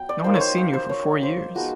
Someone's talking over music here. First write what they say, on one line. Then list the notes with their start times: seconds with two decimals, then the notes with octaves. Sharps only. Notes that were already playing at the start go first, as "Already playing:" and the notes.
No one has seen you for four years.
Already playing: F#3 B3 G5
0.09 D5
0.24 A#3 D#4 C5
0.35 C#5
0.41 C5
0.58 C5
0.73 C5
0.89 C#5
1.23 C5
1.55 F3 G#3 B3 D#4 F#4